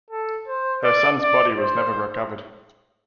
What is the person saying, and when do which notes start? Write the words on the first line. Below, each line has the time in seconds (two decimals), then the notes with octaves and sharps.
Her son's body was never recovered.
0.10 A4
0.48 C5
0.84 D5
1.21 D5
1.58 C5